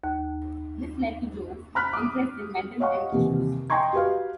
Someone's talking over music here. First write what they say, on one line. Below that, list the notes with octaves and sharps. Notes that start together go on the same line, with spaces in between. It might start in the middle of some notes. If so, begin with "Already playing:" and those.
This led to Jones' interest in mental health issues.
D#2
A#5 B5 F6 F#6 B6
D6 D#6
C#5 D#5 F5 F#5 C#6
D#2 C3 E3
D#5 G5 A#5 C6 C#6 G#6
F#4 G4 B4 F5